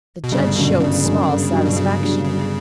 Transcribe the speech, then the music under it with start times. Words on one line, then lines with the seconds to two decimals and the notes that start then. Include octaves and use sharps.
The judge showed small satisfaction.
0.24 B2
0.32 G1 C#3
0.56 F#2 B2 D3
0.80 G1 C#3
1.04 F#2 D3
1.28 G1
1.53 G2 F#3
1.66 B2
1.77 G1 C#3
2.01 G2 F#3
2.25 G1 C#3